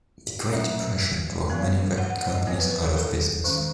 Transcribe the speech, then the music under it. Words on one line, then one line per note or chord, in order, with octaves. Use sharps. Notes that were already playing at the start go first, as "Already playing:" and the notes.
The Great Depression drove many record companies out of business.
F#3 A3 C#4 E5
E3 G#3 B3
F#5
F#5
F#5
D#5
F#3 B3 C#5
B4
B4
A4
A4
D#3 G#3 C#4